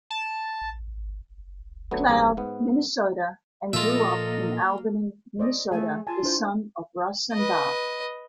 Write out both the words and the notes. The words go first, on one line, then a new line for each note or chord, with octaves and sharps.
Cloud, Minnesota and grew up in Albany, Minnesota, the son of Russ and Barb.
A5
D3 F#3 A3 B3
A1 G2 C4 G#4 G#5 A#5
G#2 B3
A#2 F3 A#3 F4 A4 D#5 E5
C5 D5 D#5
A3 G#4 G#5
F4 G#5 A5
D4 E4 C5
B4 D#5